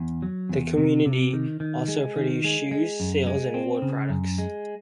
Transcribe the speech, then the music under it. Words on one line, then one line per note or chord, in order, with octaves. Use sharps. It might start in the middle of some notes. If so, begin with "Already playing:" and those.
The community also produced shoes, sails and wood products.
Already playing: E2
F#3
E2
C3
C3
D#3
D#3
G#3
D#3
G#3
G#3
F#2
G#3
C4
C#3
F#2
G#3